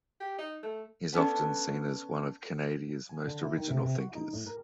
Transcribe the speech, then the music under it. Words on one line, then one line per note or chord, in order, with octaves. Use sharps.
He is often seen as one of Canada's most original thinkers.
G4
D#4
A3
B3 C#4 D4 A4
G#5
D3
E4
D#3
C3
C3
F#4
D#4
A2
A#4